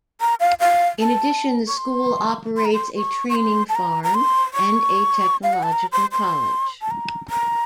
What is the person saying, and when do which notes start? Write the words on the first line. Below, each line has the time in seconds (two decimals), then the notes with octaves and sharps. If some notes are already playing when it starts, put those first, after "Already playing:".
In addition, the school operates a training farm and a technological college.
0.21 A#5
0.40 F5
0.60 F5
0.99 A5
1.68 C#6
1.78 C6
2.57 C6
2.65 A#5
2.74 C6
2.96 C#6
3.30 C#6
3.36 C6
3.69 A5
3.75 A#5
4.04 A#5
4.15 C6
4.54 C#6
5.43 F5
5.53 F#5
5.63 A5
5.73 A#5
5.92 C6
6.12 C6
6.82 A5
6.91 A#5
7.30 A#5